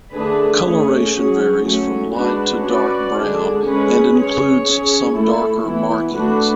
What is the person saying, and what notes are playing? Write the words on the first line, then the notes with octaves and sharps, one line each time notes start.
Coloration varies from light to dark brown and includes some darker markings.
D3 A3 D4 G#4 B4
A3 C#4 G#4
F#3 C#4 G#4
F#3 A3 C#4
G#3 D4 F#4 B4
C#4 F#4 B4 D5
D3 G#3 D4 G#4
G#3 C#4 G#4 B4
C#4 G#4 C#5
C#4 G#4 C#5
A3 E4 A4
E3 B3 E4
A3 D4 F#4 B4